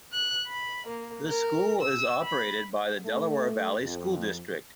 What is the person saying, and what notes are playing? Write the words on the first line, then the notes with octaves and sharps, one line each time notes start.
The school is operated by the Delaware Valley School District.
F#6
B5
A#3
A#4
E6
B5
A3
F2